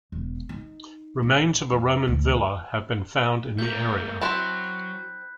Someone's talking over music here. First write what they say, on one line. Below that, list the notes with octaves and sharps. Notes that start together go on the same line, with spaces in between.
Remains of a Roman villa have been found in the area.
E1
D#4
A#1
F2
D2
A3 A#3 A#4 G6
F#3 C4 E4 A5 B5 F#6 B6